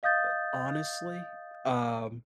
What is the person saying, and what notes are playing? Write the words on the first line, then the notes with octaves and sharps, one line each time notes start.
Uh, honestly, um,
D#5 F5 D#6 G6 A6